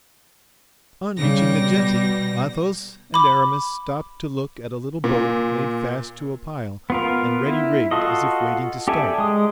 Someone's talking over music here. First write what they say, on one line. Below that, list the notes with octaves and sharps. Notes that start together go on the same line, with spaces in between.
On reaching the jetty Athos and Aramis stopped to look at a little boat made fast to a pile and ready rigged as if waiting to start.
C#3 G3 A#6
B2
B5 D6
A#2
B3 F4 A#4
E4
F4 F#4 A4 D#5
G4 A4 D5 E5 G#5
G#3 D#6